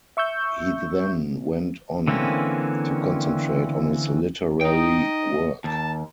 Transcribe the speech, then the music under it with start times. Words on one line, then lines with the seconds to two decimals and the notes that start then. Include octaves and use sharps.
He then went on to concentrate on his literary work.
0.17 E5 C#6 E6 G6
2.08 D3 E3 A#3 C4 C#4
4.61 D#4 D#5 G5
5.64 D#2 A5